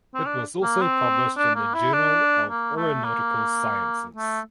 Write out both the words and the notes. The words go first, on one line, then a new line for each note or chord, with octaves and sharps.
It was also published in the Journal of Aeronautical Sciences.
C4
D4
A#3
C4
D4
A#3
E4
D4
A#3
A3
A#3
A3